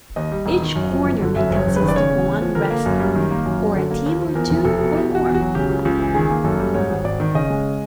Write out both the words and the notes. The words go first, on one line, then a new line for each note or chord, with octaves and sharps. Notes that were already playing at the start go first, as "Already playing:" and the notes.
Each corner may consist of one wrestler, or a team of two or more.
D#2 D#5
G3
E1
D#3
F#2
F3
G1
D3
F#2 E5
F#1
C#5
F#1
D#3 B4
D5
C#3 C#5
E2
E2
F3
D3 A#4
A#3
F#2
G3
D#3
A#3
F#2
F#3
D3
A#3
D#2
F3
E2 A#4
F1
F1 A4
B2
B2 G4
E2 F#4
E2
F#4
F#3
C#3 G4
C#2
C#2
E3
D#3 G#4
A#3
F#2 A4
G3
G#2 C#5
G#1
G#1 D5
D#3
C#3 D#5
G#3